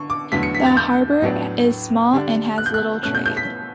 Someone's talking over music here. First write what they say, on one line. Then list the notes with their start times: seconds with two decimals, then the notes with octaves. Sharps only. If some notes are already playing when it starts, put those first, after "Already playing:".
The harbour is small and has little trade.
Already playing: D3 C#6
0.10 D6
0.32 E2 D3 F#3 A3 B6
0.43 C#7
0.55 B6
0.66 A6
0.77 G6
1.22 A2 F#3 B3 D4
2.13 D3 G3 D4
2.58 F#6
2.66 G6
2.74 F#6
3.03 B2 A3 C#4 F#6
3.15 G6
3.26 G6
3.37 B6